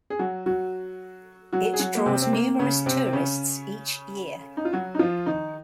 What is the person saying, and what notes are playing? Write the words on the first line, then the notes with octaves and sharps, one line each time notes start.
It draws numerous tourists each year.
G#4
F#3 F#4
F#3 F#4
F#3 F#4
G#4
F#3 F#4
A#3
C3 C4
C4
A#3
C#3 C#4
C3 C4
C4
C#3 C#4
D#4
F4
F#3 F#4
D#4
F3 F4
D#3 D#4